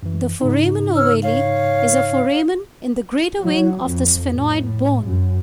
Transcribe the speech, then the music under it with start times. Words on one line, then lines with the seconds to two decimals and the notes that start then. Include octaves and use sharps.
The foramen ovale is a foramen in the greater wing of the sphenoid bone.
0.03 F#2 E3
0.41 G#2 C#3 D#4
0.96 C#5 E6 F6
1.22 C#5 F5
3.41 F#3
3.82 F2
4.30 A2
5.04 F#2